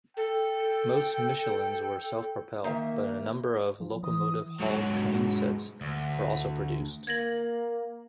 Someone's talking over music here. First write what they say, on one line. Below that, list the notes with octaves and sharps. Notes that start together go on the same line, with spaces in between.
Most Michelines were self-propelled, but a number of locomotive-hauled trainsets were also produced.
A4 G5
D#3 A#3 E5
F3
E3 D#6
G#2 F#3
D2
A#3 G#6 A#6 F#7